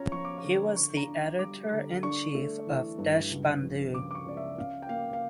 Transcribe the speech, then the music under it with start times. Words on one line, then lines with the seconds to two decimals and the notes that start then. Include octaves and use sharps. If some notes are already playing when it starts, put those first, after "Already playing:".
He was the Editor in Chief of "Deshbandhu".
Already playing: C#4 F4 C#5 A#5
0.12 F3 C#6
0.25 D6
0.38 C#6
0.44 D3
0.75 D3 C#6
0.97 A#5
1.08 D4
1.39 G3 D6
1.72 D3
2.03 D4 C#6
2.35 A3
2.67 E3
2.98 G2
3.31 C#2
3.63 F3
3.94 C#3 D6
4.11 D6
4.15 C#6
4.26 C#2 D5
4.37 E5
4.58 C#4 F5
4.82 G5
4.89 A#3 F5
5.13 F5